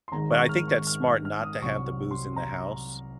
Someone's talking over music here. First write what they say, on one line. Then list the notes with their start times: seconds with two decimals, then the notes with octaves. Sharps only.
But I think that's smart not to have the booze in the house.
0.08 C6
0.12 G#1 G#2 D#3 G#3 A#5
0.30 C#6
0.49 F6
0.68 C#6
0.87 F6
1.25 F6
1.43 D#6
1.62 C2 C3 F#3 C#6
2.11 C6
2.36 A#5